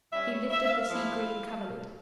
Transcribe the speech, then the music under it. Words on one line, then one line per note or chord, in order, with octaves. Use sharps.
He lifted the sea-green coverlet.
G2 G3 C#4 E5
C#5
E5
E5
F5
G#2 F3 A#3 E4